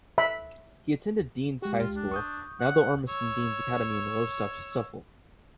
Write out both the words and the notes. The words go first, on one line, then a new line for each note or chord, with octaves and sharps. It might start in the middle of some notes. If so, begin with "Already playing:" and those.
He attended Denes High School, now the Ormiston Denes Academy in Lowestoft, Suffolk.
E5 B5
G#3 F#4 G4
F4
D4
C#6 D#6 G6
F#5
C#5 E6